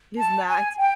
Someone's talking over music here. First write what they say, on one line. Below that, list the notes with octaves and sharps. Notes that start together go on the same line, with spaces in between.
is not
A5
G#5
G5